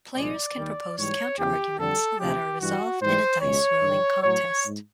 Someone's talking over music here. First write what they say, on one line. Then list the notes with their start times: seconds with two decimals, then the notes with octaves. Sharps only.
Players can propose counter-arguments that are resolved in a dice rolling contest.
0.17 C2 A#2 F3 G#3 D5
0.57 D#2 D#3 G3
0.98 G#2 E3 G3 C#5
1.39 E2 C#3 F3 G4
1.79 F2 D3 G3 A4
2.20 D2 C3 F3 G#3 G4
2.61 G2 E3 G3 F#4
3.02 G#2 E3 G3 C5
3.41 C#2 B2 G#3 C#5
3.82 G2 D3 G3
4.23 A2 F#3 C#5
4.63 G#2